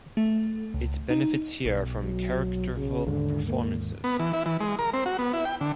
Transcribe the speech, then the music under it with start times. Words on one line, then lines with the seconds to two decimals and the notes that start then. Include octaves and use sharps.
It benefits here from characterful performances.
0.17 A3
0.74 C#2
1.10 D#4
1.66 B1
2.03 F#3
2.77 C#3
3.07 D#2 G#2 D3
3.47 A#3
4.04 B3
4.20 E3
4.33 E4
4.46 E3
4.60 G#3
4.79 A#4
4.93 C4
5.06 F#4
5.19 B3
5.33 E4
5.45 G5
5.61 D3